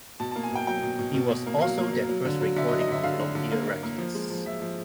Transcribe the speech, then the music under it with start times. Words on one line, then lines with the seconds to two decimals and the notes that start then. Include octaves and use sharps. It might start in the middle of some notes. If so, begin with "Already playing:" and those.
It was also their first recording on Columbia Records.
0.20 B2 A5
0.31 A5
0.36 A#3
0.43 G#5
0.52 B2 G5
0.67 F#3 G5
0.83 B2
0.99 B2
1.14 B2
1.30 B2
1.46 A#3
1.62 F#3 F5
1.78 A#3
1.93 F#3
2.09 F#3
2.25 D3
2.41 F#3
2.56 D3 E5
2.68 D#5
2.73 F#3
2.80 D#5
2.88 D3 E5
3.03 D3 F5
3.19 D3
3.35 D3
3.52 A#3
3.67 A#3
3.83 A#3
3.98 F3
4.15 G#3
4.30 F3
4.46 F3 E5
4.61 F3